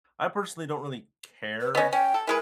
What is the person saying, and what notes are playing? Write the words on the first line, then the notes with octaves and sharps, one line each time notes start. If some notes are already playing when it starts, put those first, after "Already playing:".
I personally don't really care
B4
B3 C#4 D#5
C#4 G5
A4
E3 G#3 A#4 B4